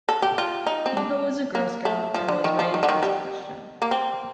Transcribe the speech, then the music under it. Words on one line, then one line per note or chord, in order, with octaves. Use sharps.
Iva was a Girl Scout, and was raised as a Christian.
A4
G4
F4
D#4
C4
D4
A#3
A3
F3
D3
D#3
F3
D#3
D3
D#3
G3
A#3
C4